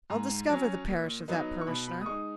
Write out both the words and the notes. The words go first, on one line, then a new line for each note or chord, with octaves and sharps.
I'll discover the parish of that parishioner.
G#2 A#5
F#3 C#4
A#2
F#3 B3 D#4
C#6
B2 B5
B5
D#6
G#3 D#4 C#6